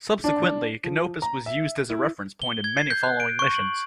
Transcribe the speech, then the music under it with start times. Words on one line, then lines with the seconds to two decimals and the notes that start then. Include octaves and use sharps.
Subsequently, Canopus was used as a reference point in many following missions.
0.24 D4
0.84 F3
1.22 A#5
1.46 E5
1.90 E4
2.42 G7
2.64 G#6
2.77 C7
2.90 G6
3.03 F#6
3.20 D7
3.39 C#6
3.55 F#7